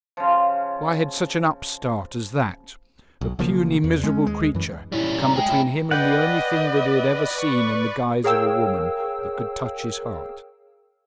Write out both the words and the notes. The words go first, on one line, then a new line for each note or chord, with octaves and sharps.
Why had such an upstart as that, a puny, miserable creature, come between him and the only thing that he had ever seen in the guise of a woman that could touch his heart?
C#3 F3
B1
B1 C#3 F3 A#3
E2
G#3 B3 C#4
D#2 G#3
F#2 E3
G3 C#4 E4
A#5
G#3 G#4 G5
C#4 E4
B4 D5 D#5 F#5 G5
C#6
G#4 A#4 C#5 F5 G5 E6